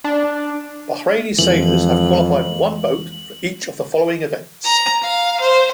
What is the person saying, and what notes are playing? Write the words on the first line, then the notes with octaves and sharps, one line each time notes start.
Bahraini sailors have qualified one boat for each of the following events.
D4
F2 E3 G#3 F#7
A#5
F5
C5